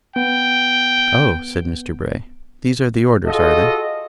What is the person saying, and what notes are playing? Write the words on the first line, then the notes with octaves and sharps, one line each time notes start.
'Oh!' said Mr Bray. 'These are the orders, are they?'
B3 G5
F4 F#4 G#4 A4 D#5